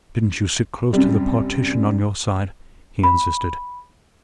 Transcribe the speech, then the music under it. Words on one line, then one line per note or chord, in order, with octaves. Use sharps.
"Didn't you sit close to the partition on your side?" he insisted.
F#2 C3 G3
B5